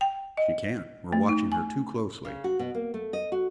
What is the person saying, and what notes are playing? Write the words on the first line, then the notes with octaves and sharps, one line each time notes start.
"She can't--we're watching her too closely."
G5
D#5
A3
D#4
G#5
C#3
F#4
B2
A#3
A3
D#5
F#4